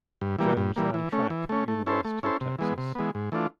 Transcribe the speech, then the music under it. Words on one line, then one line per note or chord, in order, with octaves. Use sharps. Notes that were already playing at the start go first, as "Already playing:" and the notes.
Jones ran track at University of Texas.
G2
E3 G3 A#3
G2
E3 G3 A#3
E3
A3 C#4
E3
A3 C#4
A3
C#4 E4 A4 C5
A3
C#4 E4 A4 C5
C3
E3 G#3 B3
C3
E3 G#3 B3
G#2
E3 A3 D4 F4